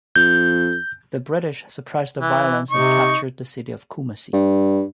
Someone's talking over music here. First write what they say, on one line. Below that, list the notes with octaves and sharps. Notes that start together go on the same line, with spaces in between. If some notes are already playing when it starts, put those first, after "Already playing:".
The British suppressed the violence and captured the city of Kumasi.
F2 G6
E3
C3 D#4 C#6
G2